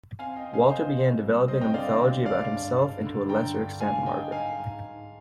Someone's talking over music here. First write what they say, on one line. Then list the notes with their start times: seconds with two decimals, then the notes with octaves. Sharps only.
Walter began developing a mythology about himself and to a lesser extent Margaret.
0.19 C4 F5 G#5
0.36 D#5 G5
0.45 C4
0.54 F5 G#5
0.71 C4 C5 D#5
0.97 C4
1.22 G3
1.48 C4 C5 D#5
1.61 D#5 G5
1.74 D3 D5 F5
2.00 C4
2.26 G#3 D5 F5
2.51 G2
2.78 G2
3.03 D3
3.29 G2 G5 A#5
3.55 G2
3.81 G2 F5 G#5
4.06 G#3 D#5 G5
4.32 G#2 F5 G#5
4.58 G#2
4.84 G#2